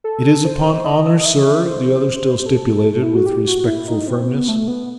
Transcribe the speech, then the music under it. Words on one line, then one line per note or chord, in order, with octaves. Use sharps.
'It is upon honour, sir?' the other still stipulated, with respectful firmness.
A4
C5
D#5
E5
C5
A4
E4
F#4
G4
F#4
E4
D#4
C4
B3
A3
B3